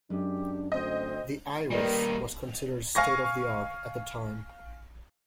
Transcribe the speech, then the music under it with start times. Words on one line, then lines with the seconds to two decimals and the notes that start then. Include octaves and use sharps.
The Iris was considered state-of-the-art at the time.
0.10 F#2 G#3 D4 G4
0.72 D2 C4 D#5
1.71 D#3 G3 A#3 G4 B4 D5
2.95 F5 G#5 C#6 A#6